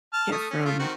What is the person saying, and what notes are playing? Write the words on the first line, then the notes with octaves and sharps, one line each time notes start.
get from
A5 F6
A3 D#6
C#4
A3 F4
D#3 C4 F#4